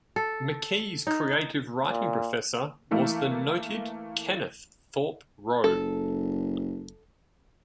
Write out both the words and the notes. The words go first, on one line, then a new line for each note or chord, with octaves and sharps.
McKee's creative writing professor was the noted Kenneth Thorpe Rowe.
A4
D#4
A#2
E3 A3 A#3 E4
F#1 A4